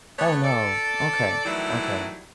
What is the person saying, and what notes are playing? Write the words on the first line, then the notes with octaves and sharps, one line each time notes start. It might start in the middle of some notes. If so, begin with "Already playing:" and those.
Oh, no. Okay, okay.
A3 B3 C#5
A4 D5
D#3 E3 F#3 G3 A3 E4